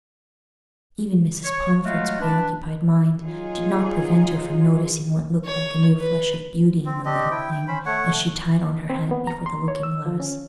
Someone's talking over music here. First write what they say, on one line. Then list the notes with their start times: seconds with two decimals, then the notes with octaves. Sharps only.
Even Mrs. Pomfret's preoccupied mind did not prevent her from noticing what looked like a new flush of beauty in the little thing as she tied on her hat before the looking-glass.
1.44 C#5
1.85 F#3 G#3 A3 F4 F#4 F5
2.20 D4 B4
3.22 F#3 D#4 F4 G#4
5.45 C#5
5.99 B4
6.86 C4
7.05 C4 D4 G4 D#5
7.31 E4 G5
7.51 G5
7.68 C#4 C5 B5
7.86 A3 C#5 F#5
8.90 C4
9.11 B3
9.27 A#5
9.46 C6
9.68 C#5
9.83 E6
10.06 F3
10.20 C#4